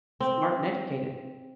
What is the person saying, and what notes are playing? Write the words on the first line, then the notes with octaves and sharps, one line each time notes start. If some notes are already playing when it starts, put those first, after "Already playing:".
smart and educated.
C4